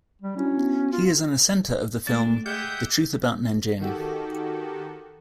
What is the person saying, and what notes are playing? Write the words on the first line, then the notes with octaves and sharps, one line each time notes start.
He is an assenter of the film "The Truth about Nanjing".
G3
C#4 D4 E4 F#4
B3 F#4
F4
A3 D4 A6
G#3 G4 E5 F#5 G6
D#3 F#4 G4 A4